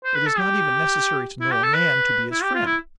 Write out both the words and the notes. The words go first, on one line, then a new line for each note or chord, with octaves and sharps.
It is not even necessary to know a man to be his friend.
C5
B4
A4
G4
E4
G4
A4
B4
E4
G4
F4
E4